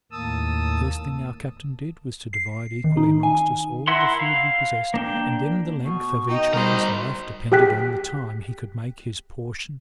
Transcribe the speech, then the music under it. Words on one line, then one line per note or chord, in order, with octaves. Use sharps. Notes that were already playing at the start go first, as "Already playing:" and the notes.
The first thing our captain did was to divide equally amongst us all the food we possessed, and then the length of each man's life depended on the time he could make his portion last.
D#2 A2 A#3 A5 D#6 E6
C7
D#3
D#4
G#5
E4 A#4 E5 F#5 C6
F5
A#3 D4 G5
B2 C#6
D#4 D#5 G5
D2 G3 A#4 C5 D#6
G4 G#4 G5 F#6 B6